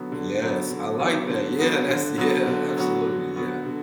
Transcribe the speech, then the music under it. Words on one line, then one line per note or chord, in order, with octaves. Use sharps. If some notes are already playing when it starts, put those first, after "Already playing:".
Yes. I like that, yeah, that's yeah. Absolutely, yeah.
Already playing: D3 F#3 B3
D3
F#3 B3
D3
F#3 B3
D3
F#3 B3
D3
F#3 B3 F#4
D3
F#3 B3 F#4
D3
F#3 B3 F#4
D3